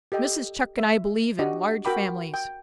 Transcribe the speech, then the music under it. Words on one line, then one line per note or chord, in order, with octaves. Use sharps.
"Mrs. Chuck and I believe in large families."
G4 A4 D#5 G5
E5
D4 F#4 G4 D#5
F#4 A#4 G5 B5 D6
G5